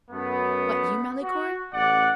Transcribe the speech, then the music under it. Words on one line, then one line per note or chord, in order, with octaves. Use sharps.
"What, you, Malicorne?"
F#2 A3 B3
F#4
A1 D5 F#5